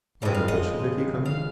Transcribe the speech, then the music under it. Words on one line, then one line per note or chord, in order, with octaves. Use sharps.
"Are the Bolsheviki coming?"
C#3 F3 G#3 C4 D#5
F5
D#5
F5